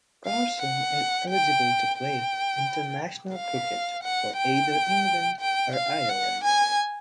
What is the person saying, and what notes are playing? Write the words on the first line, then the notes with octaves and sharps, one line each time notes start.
Carson is eligible to play international cricket for either England or Ireland.
F5
F#5
G5
G5
F5
F#5
G5
G5
F5
F#5
G#5